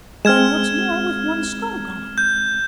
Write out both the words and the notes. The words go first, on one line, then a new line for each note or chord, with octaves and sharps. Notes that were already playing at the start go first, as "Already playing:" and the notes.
And what's more,--with one scull gone.
G#3 C4 F6 G#6 E7
G6